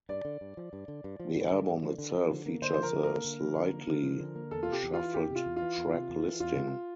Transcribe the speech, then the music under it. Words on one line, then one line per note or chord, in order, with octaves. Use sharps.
The album itself features a slightly shuffled track listing.
G2 D5
D3
G2
F3
G2
D3
G2
F3
G2
D3
G2
F3
D3
F3
D3
A#3
D3 C5
F3 C5
A#4
D3
A#4
A#3
D3
F3
D3
A#3
D3
F3
D3
A#3
E2 A4
F4
C3 G4
E2
F4
E3
E2 G4
C3
F4
E2
F4
E3
E2
C3
E2
E3
E2 F4
C3